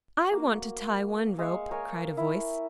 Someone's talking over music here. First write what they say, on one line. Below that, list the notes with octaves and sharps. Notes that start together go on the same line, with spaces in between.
"I want to tie one rope," cried a voice.
A#3 F#4
G#3 F5 C#6
A#4 C#5 G#5
E4